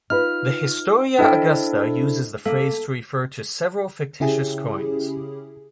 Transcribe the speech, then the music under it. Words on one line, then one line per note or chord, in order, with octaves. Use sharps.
The Historia Augusta uses the phrase to refer to several fictitious coins.
D#4 F4 B4 F6
D4 E4 A4 C5 D#5 G5
A#3 A4
C#3 C#4 E4 G4 G#4